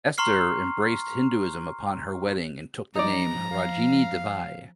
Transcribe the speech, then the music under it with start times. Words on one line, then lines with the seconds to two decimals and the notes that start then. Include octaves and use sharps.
Esther embraced Hinduism upon her wedding and took the name "Ragini Devi".
0.18 A#5 C6 C#6 F6 C7
2.95 F3 D#4 D5 A#5
3.51 F5